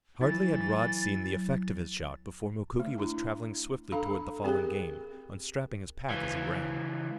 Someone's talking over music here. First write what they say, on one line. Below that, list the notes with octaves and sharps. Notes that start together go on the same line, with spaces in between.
Hardly had Rod seen the effect of his shot before Mukoki was traveling swiftly toward the fallen game, unstrapping his pack as he ran.
E3 F#3 E4 A6
A3
D4 E4
D4 A4 F5 B5
C4 G4 G#4 A#4
C#2 E3